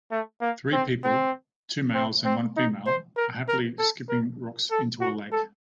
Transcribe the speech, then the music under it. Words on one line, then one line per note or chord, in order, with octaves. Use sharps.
Three people, two males and one female are happily skipping rocks into a lake.
A3
A#3
C4
C4
C4
C4
D#4
C5
A#4
A#4
A4
A#4
A4
F#4
A4